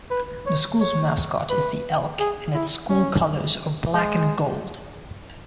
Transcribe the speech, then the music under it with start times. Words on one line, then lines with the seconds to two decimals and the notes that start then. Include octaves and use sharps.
The school's mascot is the elk and its school colors are black and gold.
0.10 B4
0.46 C#5
0.80 C#5
1.50 B4
2.19 G#4
2.54 E4
2.89 C#4
3.94 G#3